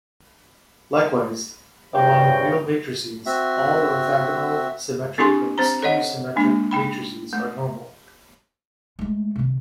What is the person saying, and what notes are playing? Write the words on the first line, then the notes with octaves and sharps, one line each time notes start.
Likewise, among real matrices, all orthogonal, symmetric, and skew-symmetric matrices are normal.
E2 G2 C#3 F#4 C5 G5
C4 F#4 E5
C4 D4 E4 G4 G#5 C6
C4 C5 A#5
A4 C#5 D#5 F#5
G#3 A#3 D4
D#4 G5 B5
A3
G#3 A3
C3 D#3